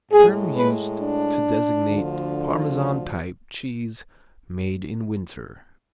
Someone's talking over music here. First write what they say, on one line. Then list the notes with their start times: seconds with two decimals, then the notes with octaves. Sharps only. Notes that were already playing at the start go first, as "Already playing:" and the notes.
Term used to designate Parmesan-type cheese made in winter.
0.12 A2 G#3 G#4
0.55 B4
1.00 D4
1.87 D2 D3 F3